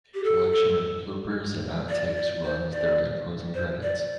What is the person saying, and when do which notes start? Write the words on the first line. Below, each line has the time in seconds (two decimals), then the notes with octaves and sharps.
A collection of bloopers and outtakes runs during the closing credits.
0.14 G4
0.24 A4
1.89 D5
2.17 D5
2.44 C5
2.72 D5
3.54 C5
3.82 D5